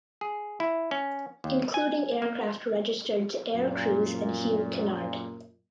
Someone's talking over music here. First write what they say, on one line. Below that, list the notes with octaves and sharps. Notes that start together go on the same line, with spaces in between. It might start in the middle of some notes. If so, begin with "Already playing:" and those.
Including aircraft registered to Air Kruise and Hugh Kennard.
G#4
E4
C#4
D#2
G#5
A#3
F#2 A#2